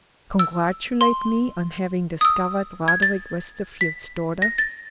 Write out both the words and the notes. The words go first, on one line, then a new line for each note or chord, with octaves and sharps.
"Congratulate me on having discovered Roderick Westerfield's daughter."
E6
C6
D#6
E6
G#6
A6
B6
A#6
A6